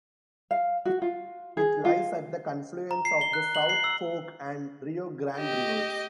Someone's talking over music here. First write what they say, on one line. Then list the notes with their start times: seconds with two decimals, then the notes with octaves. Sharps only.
It lies at the confluence of the South Fork and Rio Grande rivers.
0.51 F5
0.85 F#4
1.02 F4
1.57 G#4
1.85 F4
2.91 A#5
3.05 C7
3.21 G7
3.33 F#6
3.55 F#7
3.69 C7
3.84 E6
5.36 G4 D#5